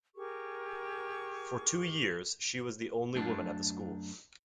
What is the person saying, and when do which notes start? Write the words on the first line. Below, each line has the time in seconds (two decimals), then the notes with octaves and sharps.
For two years, she was the only woman at the school.
0.15 G4 G#4 A#4 C#6
3.15 F#2 A3 D4 A4 A5